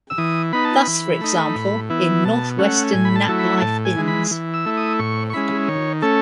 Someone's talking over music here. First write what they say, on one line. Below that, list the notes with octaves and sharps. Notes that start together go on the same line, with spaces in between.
Thus, for example, in Northwestern Nat Life Ins.
E6
E3 D#6
B3 D#4 B5
A5
B5
E3
A3 D#4
A2
E3 B3 E4
B2 A5
A3 C#4 F#5
A2 G#5
B5
A5
F#3 A3 E4
B5
A2 A5
G#5
E3 G#3
B5
E3
E6
A3 E4
D#6
A2 C#6
C#6
G#3 C#4 E4 B5
D#3 C#5
A3 C#4 A4